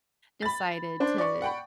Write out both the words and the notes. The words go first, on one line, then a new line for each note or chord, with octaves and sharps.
decided to
B5 A6
D4 C5
D5 C#6
F#5 G5 B5